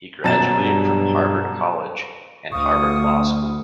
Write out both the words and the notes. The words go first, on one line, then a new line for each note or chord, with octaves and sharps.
He graduated from Harvard College and Harvard Law School.
D#1 F#2 B2 A5 A#5 A6 E7
G2
D2 F5 C#6 D#6